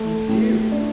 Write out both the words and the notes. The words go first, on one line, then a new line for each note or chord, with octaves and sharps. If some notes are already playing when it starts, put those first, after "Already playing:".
You do.
Already playing: A3
A2
D4